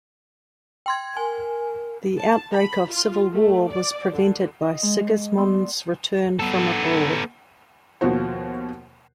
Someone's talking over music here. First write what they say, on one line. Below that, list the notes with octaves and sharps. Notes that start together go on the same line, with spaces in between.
The outbreak of civil war was prevented by Sigismund's return from abroad.
G5 C6 G#6
A#4 G#5
A5
B5
F4
A3
D5
D3
D#5
G#3
B3 D5 C6 E6
B3 A4
D#2 B2 F3 F#4 C5